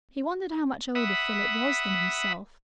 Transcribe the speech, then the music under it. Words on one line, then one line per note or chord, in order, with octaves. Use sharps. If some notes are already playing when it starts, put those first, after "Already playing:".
He wondered how much older Philip was than himself.
E5 F#5 B5 D#6